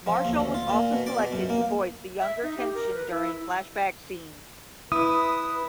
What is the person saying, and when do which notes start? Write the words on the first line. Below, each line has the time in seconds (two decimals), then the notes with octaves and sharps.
Marshall was also selected to voice the younger Kenshin during flashback scenes.
0.06 F3
0.25 D#2
0.40 D2
0.54 F4
0.70 A#2
0.92 B2
1.07 D5
1.19 B2
1.32 F#2
1.49 A#3
2.21 E5
2.43 D#4
2.57 G4
2.75 A#4
2.95 B4
3.11 E4
4.92 E4 B4 D#6